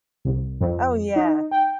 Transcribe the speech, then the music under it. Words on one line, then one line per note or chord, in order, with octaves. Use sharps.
Oh, yeah.
C2
F2
D#4
G5